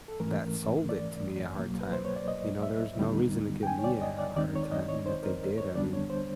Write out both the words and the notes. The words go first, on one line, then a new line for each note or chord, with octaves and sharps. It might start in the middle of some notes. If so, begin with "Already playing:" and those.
that sold it to me a hard time. You know, there was no reason to give me a a hard time, and if they did, I mean
A4
G#2 E3 A3 C#4 A#4
D5
C2 B2 F#3 A#3
B4
C5
C#5
D5
D#5
E5
D#2 D3 G3 B3 D#4
G5
G#5
C#5
D5
D#5
D5
D#2 D#3 G#3 C4 D#4 D5
C#5
D5
D#5
C#5
C5
A#4
C#5
D#2 D3 G3 B3 D4 D5
C#5
C5